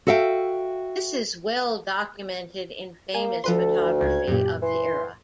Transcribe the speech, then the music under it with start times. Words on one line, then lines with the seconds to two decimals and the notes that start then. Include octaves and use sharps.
This is well documented in famous photography of the era.
0.07 F#4 A4 E5 F5 G5
3.14 A#3 G#5
3.44 D2 F3 A4 B4 C6
4.01 C#2 G#6
4.27 F#2 A#2 G4
4.62 E3 C6